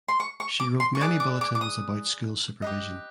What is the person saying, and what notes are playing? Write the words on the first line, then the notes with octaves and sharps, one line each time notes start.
She wrote many bulletins about school supervision.
C6
C#6
C#6
D6
C6
C#6
G#4 B4 D5 D6
D6
D6
D6
D#6
G4 B4 D#5